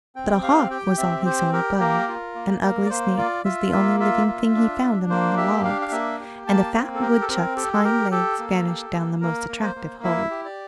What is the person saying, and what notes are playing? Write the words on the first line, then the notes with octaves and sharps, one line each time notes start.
But a hawk was all he saw above, an ugly snake was the only living thing he found among the logs, and a fat woodchuck's hind legs vanished down the most attractive hole.
C4 G5
G4 F5
G4 G5
C4 E5
G4 C5
G4 A#4
A#3 A#4
F4
A#3
A#3 A#4
D5
A#3 C5
F4 D5
F4 E5
A#3 E5
F4 E5
F4
D4
D4
A#3 C5
G4 E5
D4 F5
F5
A#3 E5
G4
A#3 A5
C4
A4
G4 A#4
A4
C4 A#4
G4 A4
A4
G4 A#4
G4 A4
A#3
G4
A#3
A#3 A#4
A#3
C5
A#3
E4 E5
G4
D5